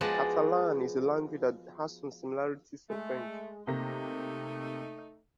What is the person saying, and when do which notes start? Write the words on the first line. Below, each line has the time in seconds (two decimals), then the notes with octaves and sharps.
Catalan is a language that has some similarities to French.
0.01 F3 G#3 B3 F#4 D5 A5
2.90 G#3 A3
3.67 C3 A3 A#3 D#4 A#6